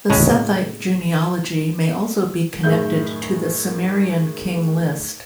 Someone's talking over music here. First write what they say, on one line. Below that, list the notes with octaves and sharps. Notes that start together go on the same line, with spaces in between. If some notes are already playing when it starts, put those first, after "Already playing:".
The Sethite genealogy may also be connected to the Sumerian King List.
A2 C#3 G#3
F#2 A2 D#3 G#4 E5 G6